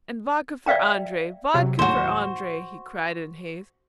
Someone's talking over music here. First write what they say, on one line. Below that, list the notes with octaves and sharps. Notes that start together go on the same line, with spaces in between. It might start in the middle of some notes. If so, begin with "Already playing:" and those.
"And vodka for Andrey, vodka for Andrey!" he cried in haste.
D5 E5 F5 G5 A#5
C3 F#3
D#2 A2 F#3 F#4 C5